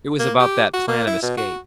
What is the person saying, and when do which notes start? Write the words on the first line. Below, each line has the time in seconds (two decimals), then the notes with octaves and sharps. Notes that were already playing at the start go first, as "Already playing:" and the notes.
It was about that plan of escape.
0.19 A#3
0.40 G4
0.74 F#4
0.88 A#3
1.07 E4
1.22 B2
1.38 F#4